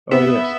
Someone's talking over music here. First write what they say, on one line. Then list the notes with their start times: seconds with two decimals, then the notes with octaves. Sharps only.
Oh, yes.
0.11 B3 E5